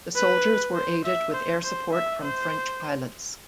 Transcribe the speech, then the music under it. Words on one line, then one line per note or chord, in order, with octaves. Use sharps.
The soldiers were aided with air support from French pilots.
B4
C5
E5
C5
C5
E5
C5